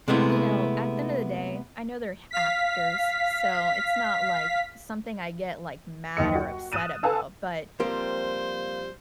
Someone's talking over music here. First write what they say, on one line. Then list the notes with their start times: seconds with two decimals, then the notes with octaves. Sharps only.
you know, at the end of the day, I know they're h actors, so it's not, like, something I get, like, mad or upset about, but
0.08 C3 G#3 A3 B3 E4
2.31 F5 B6
6.17 F#1 D#2 D#4 D#5 C#7
6.35 F#4
6.72 D#6 F6 F#6 A6 D#7 E7
7.03 A4 B4 F5 G#5 A5 E6
7.80 F3 G3 A#3 C4 C5